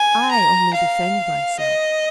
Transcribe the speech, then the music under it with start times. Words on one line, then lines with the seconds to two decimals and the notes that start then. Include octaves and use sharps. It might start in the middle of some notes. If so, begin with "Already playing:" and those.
I only defend myself.
Already playing: G#5
0.31 A#5
0.74 F5
1.59 D#5